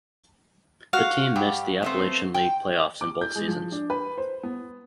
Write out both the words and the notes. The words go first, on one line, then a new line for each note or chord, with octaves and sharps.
The team missed the Appalachian League playoffs in both seasons.
F#4 F5 F#5
G2 G4
A3 B3 C4
G5
D6
G6
G#3
F3
D4
B4
C5
B3